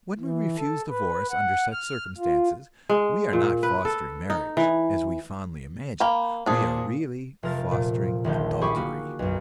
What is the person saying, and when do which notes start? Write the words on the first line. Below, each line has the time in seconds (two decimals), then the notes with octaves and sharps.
When we refuse divorce under such circumstances we are not fostering marriage, as we fondly imagine; we are really fostering adultery.
0.19 E3
0.57 A4
0.89 B4
1.30 F#5
1.72 F6
2.18 F4
2.90 G#3
3.33 A#2
3.63 B4
3.85 A4
4.30 D#4
4.57 E3
6.00 A#3 G5 B5
6.46 A#2 D4 G#4 C5 D#6 G#6
7.43 F1 F3 A#4 A6
7.71 A#2
8.24 D#1 A#1 D3 G6
8.61 G4 G#4 B5 C#6 D6
8.75 A#3 F#4
9.19 B1 F#2